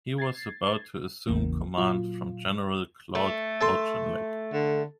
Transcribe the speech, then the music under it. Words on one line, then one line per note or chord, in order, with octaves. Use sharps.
He was about to assume command from General Claude Auchinleck.
G#6 A6 C7
A1 E2 C#3 E3 A#3
A#2 F#3 F4
A3
A4 A5 C6
D3